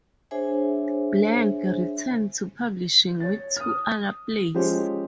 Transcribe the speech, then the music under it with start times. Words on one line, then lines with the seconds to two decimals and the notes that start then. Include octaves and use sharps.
Blank returned to publishing with two other plays.
0.31 D4 G#4 C5 C#5 E5 G#5
3.20 C#5 A6
3.56 D#6 F6
4.54 F3 G#3 C#4 F4 G4 C5